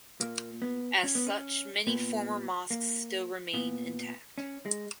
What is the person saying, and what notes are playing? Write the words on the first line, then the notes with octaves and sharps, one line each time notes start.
As such many former mosques still remain intact.
A#2 A#3
B3
C#4
B3
C#4
A#2 B3
A#3
A#2 B3
C#4
G#3